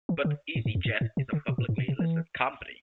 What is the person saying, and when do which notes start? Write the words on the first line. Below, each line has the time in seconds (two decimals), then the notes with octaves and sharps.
But easyJet is a publicly listed company.
0.09 E3
0.25 D3
0.55 A2
0.65 G#2
0.75 F2
0.85 G#2
1.01 A2
1.17 C3
1.33 D3
1.48 B2
1.58 A2
1.69 G#2
1.78 B2
1.88 C3
1.99 E3